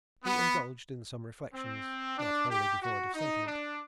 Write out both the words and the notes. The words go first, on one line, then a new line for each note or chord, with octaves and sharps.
He indulged in some reflections--not wholly devoid of sentiment.
B3
C4
D4
G4
F#4
D#4
D4